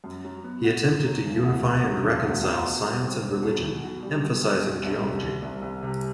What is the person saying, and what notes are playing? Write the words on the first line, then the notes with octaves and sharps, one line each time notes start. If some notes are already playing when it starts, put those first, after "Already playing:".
He attempted to unify and reconcile science and religion, emphasizing geology.
F#2
F#3
B3
F#4
F#2
F#3
E1
D2
C3
F#3
E1
D2
E2
B2
G3
C4
E2
B2
B1
B2
G3
B1
B1
B2
C2
C3
G3
C2
C2
C3